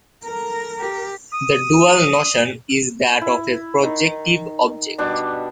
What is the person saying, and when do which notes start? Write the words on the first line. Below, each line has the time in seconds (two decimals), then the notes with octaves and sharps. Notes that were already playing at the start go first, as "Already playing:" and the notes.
The dual notion is that of a projective object.
0.24 A4 A#4 A#5
0.79 G4
1.33 D#6
3.21 E4
3.83 D#3
4.98 B2 G3 D4 D6